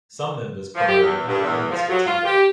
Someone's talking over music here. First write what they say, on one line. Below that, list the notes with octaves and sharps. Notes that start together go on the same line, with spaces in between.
Some members promoted independence for Tigray.
F3
G4
E2
G2
E2
F3
F#3
F4
G4